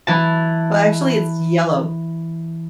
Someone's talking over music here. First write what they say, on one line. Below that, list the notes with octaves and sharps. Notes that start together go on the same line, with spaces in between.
Well, actually, it's yellow.
E3 A5